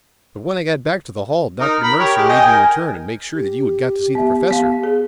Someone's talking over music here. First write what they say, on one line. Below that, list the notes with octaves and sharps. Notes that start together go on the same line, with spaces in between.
"But when I got back to the hall, Dr. Mercer made me return and make sure that you had got to see the Professor."
D#4 A#4
A#5 B5
G4 A#4 C#5
G#3 G4
D#5 G5 G#5
A#4 G#5
G4
B3 E5
B3 F5
G#4